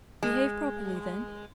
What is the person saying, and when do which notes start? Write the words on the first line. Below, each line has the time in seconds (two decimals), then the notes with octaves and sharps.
'Behave properly, then.'
0.23 G#3